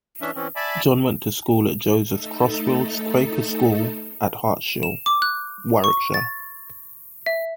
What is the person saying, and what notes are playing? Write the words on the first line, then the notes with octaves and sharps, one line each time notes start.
John went to school at Joseph Crosfields Quaker School at Hartshill, Warwickshire.
E3 C#4 D4 E5
E3 C4 C#4
D5 E5 G#5 A5 B5 D6
A3 D#4 A4
E7
D6
F#6
C#6
A6
E5